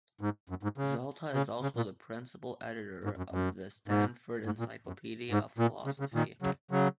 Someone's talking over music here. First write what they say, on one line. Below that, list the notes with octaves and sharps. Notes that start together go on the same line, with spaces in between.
Zalta is also the Principal Editor of the "Stanford Encyclopedia of Philosophy".
G#2
F#2
G#2
C#3
C#3
C#3
A#2
G#2
F#2
F#2
G#2
G#2
A#2
F#2
G#2
A#2
C#3
C#3
A#2 D#3
C#3 F#3
C#3 F#3